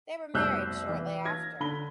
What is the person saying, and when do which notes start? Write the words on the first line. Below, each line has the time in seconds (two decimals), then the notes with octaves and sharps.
They were married shortly after.
0.34 F1 C2 B2 E6 F#6 G6
0.89 E3
1.25 F6 G#6 A#6
1.60 D3 B5 G7